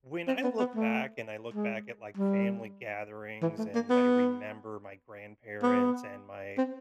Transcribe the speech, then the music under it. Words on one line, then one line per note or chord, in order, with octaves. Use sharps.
when I look back and I look back at, like, family gatherings, and I remember my grandparents and my
C4
B3
B3
A3
G#3
G3
E3
A3
A#3
B3
B3
C4